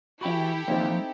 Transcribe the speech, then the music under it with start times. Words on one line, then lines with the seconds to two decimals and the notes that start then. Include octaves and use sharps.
And, uh,
0.21 E4 F#4 G4 A4 B5
0.68 F3 A#3 C4 D#4 C5